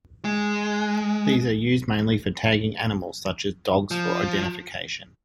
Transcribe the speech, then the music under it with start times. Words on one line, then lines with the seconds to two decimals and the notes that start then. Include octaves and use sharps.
These are used mainly for tagging animals, such as dogs for identification.
0.25 G#3
3.91 F3